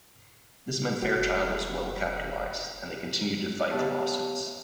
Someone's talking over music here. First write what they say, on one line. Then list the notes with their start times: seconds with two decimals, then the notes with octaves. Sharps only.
This meant Fairchild was well capitalized and they continued to fight the lawsuits.
1.02 F1 F#4
3.71 B3 G4 C#5 E5 F5 A5